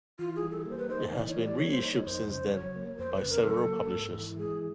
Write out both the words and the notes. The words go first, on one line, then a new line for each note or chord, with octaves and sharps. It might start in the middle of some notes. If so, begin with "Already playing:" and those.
It has been reissued since then by several publishers.
E3 F4
G#4
G3
A4
A#3 C5
B4
D#4 C5
E3 D5
C#5
G3
D5
A#3 C#5
C5
D#4 C#5
F2 C5
C#3 C5
F#3 C#5
A#3
F2 C5
B4
C#3
A#4
F#3 A4
A#3
G#2
E3
G#3 G#4